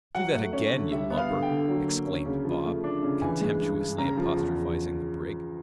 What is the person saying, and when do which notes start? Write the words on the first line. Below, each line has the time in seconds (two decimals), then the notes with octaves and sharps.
"Do that again, you lubber!" exclaimed Bob, contemptuously apostrophising the brig.
0.15 F#3 F#5
0.34 A3
0.53 C#4
0.72 D3
0.91 G3 E5
1.10 B3
1.17 F5
1.30 D3
1.42 G5
1.49 D3
1.69 F#3
1.87 A#3
2.07 C#4
2.26 C#3
2.45 F3
2.65 A3
2.84 D4
3.03 C#3
3.21 E3 G#5
3.41 G#3
3.60 G2
3.79 G2
3.98 C#3 A#5
4.17 F3
4.37 E2